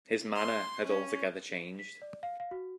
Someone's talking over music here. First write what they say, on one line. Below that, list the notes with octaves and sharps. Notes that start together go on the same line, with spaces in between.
His manner had altogether changed.
C6
C#4
B6
D5
F5
F5
F#4